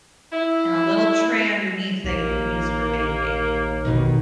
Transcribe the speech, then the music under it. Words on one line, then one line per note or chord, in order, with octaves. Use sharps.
and a little tray underneath that you could use for baking.
E4
A#1 D#2 A#3
F2 B2 D#3